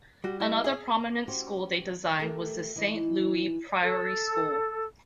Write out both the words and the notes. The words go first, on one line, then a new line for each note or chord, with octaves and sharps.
Another prominent school they designed was the Saint Louis Priory School.
G3 F#4
E4 D#5 E5
G#4
C#4 F#4 G4 C5
A3 G4 A4 A#4
E3 D#4
A4